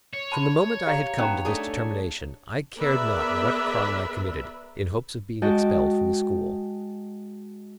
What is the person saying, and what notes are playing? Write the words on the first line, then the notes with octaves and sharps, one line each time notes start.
From the moment I had come to this determination, I cared not what crime I committed, in hopes of being expelled from the school.
C#5
A5 B5 C6
G4 F5 A#5 C#6
B3 C#4 D#4 A#5
A3 D4 G#4
B3 G#4 A#4 B4 D5 E5
G#3 F#4 D#5 G5 A5